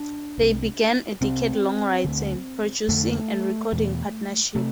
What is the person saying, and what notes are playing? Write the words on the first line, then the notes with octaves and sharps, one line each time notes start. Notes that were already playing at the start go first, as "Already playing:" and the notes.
They began a decade-long writing, producing, and recording partnership.
Already playing: D4
C2 C3
C2 C3 C4
D2 D3
F2 D3 A3
E2 B2
C3 A3